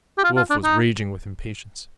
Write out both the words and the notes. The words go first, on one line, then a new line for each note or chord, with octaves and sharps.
The Wolf was raging with impatience.
G4
F4
F4
D4
D#4